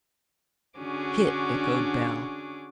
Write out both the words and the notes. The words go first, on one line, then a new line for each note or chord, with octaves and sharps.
"Hit!" echoed Bell.
D3 C#4 D4 F#4 G#4 D6